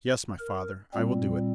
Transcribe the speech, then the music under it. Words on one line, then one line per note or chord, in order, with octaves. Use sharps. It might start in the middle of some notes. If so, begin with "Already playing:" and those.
"Yes, my father, I will do it."
A#4
A#2 G3 C4